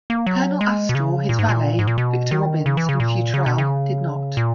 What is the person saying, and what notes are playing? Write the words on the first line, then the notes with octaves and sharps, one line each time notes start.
Colonel Astor, his valet, Victor Robbins, and Futrelle did not.
A#3
F#3
G#3
B2
C#3
A#2
G#2
A#2
G#2
A#2
B2
D#3
C#3
E3
C#3
A#2
C#3
B2
C#3
A#2